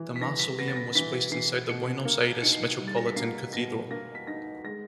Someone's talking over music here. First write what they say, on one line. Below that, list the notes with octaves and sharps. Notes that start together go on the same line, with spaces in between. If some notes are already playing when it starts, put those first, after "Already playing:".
The mausoleum was placed inside the Buenos Aires Metropolitan Cathedral.
Already playing: E3
B6
E3 A#6
B6
B3 A#6
A6
A#6
E3 B6
E3 C7
B2 C#7
A#3
D#4 C#7
C7
C#7
G3
A6
A#6
B6
A#3 C7
B2 A#6
A#3 A#6
B6
D#4 A#6
G#3 A#6